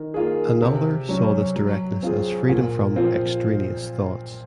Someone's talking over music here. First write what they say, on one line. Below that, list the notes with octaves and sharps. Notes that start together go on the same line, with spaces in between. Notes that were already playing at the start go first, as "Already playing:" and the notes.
Another saw this directness as freedom from "extraneous thoughts".
Already playing: D#3
A#3 F4 G#4
C3
F#3 C#4
F#3
C4 F4 G#4
A#2
F3 C4 F4